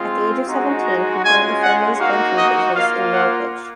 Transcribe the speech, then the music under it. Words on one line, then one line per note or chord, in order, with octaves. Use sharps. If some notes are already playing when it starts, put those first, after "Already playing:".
At the age of seventeen he joined the family's banking business in Norwich.
Already playing: G#3 C4 F4
G#3 D#4 F#4
A#5
G#3 C#4 F4 G#5
F#5
A#3 D#4 F#4 F5
D#5
A#3 F4 F5
F#5